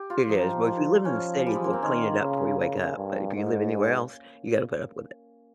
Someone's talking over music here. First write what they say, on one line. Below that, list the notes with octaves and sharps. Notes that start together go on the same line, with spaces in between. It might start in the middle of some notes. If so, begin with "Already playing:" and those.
it is, but if you live in the city, they'll clean it up before you wake up, but if you live anywhere else, you gotta put up with it.
Already playing: G4
F4
F3 D#4
F3 C#4
G3
G#3
A#3
C4
D#3 C#4
C#3
C#3
G2
G#2